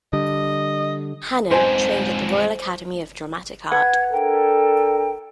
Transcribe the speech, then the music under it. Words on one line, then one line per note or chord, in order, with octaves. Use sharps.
Hannen trained at the Royal Academy of Dramatic Art.
D3 G3 D#5
F2 G#2 C5 G#5
B4 F#5 G#6
D4 A4 A#4 G5